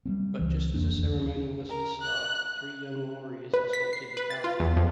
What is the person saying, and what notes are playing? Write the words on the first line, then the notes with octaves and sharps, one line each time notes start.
But just as the ceremony was to start, three young warriors assaulted the castle.
G3 A#3 C4
C#2 E3
E1 F2 A#3 D4
D2
A#4
F#6
B4
B6
C7
B4
A6
F4
E2
F2